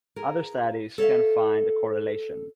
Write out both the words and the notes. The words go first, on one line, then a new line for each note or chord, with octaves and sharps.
Other studies can't find a correlation.
G#4 A#4
A4 C#5 E5 F5